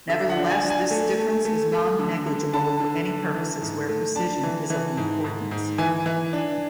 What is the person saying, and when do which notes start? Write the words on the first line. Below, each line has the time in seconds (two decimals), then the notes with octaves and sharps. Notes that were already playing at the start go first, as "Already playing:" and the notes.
Nevertheless, this difference is non-negligible for any purposes where precision is of importance.
0.09 D3 E5
0.30 F#5
0.36 D4
0.50 G#5
0.64 D4
0.70 G#5
0.91 A3
1.18 A3
1.45 A3
1.72 A3
1.99 D3
2.26 D3
2.53 D3 A5
2.80 D3
3.07 D3
3.34 E3
3.62 G#2
3.89 A3
4.15 D4 A5
4.43 E3
4.70 E3
4.97 G#2
5.24 G#2
5.51 G#2
5.78 E3 G#5
6.06 E3
6.33 D4